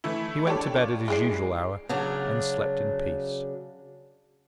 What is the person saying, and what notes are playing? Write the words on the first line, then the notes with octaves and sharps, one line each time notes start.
He went to bed at his usual hour, and slept in peace.
E3 A3 E4
D4 G4 A4 C#5 D5
F4
G#3 E4 G#4 D5 C7
C#3 F#3 D4